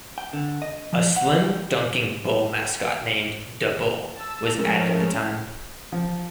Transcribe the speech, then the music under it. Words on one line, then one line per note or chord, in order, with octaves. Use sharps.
A slim, dunking bull mascot named "Da Bull" was added at the time.
G5
D3
D#5
F3
F#5
G5
A5 E6
F3 G#3 A3 C#4 A#4
F3